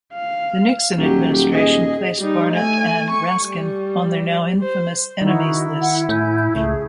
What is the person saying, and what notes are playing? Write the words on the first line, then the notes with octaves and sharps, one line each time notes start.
The Nixon Administration placed Barnet and Raskin on their now infamous Enemies List.
F5
D#1 F#3 G4
G#4 D#5
G3 D#4
A3 G#5
C#6
G3
C5
D#3 D#4 E4 F#4
F#5
A2 G#5 G6
C#2 A3 G#4